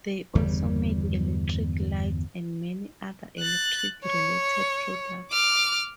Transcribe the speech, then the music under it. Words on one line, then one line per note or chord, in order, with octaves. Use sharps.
They also made electric lights and many other electric-related products.
G1 E2 C#3 G3
F#6 A6
C#5
D6 F6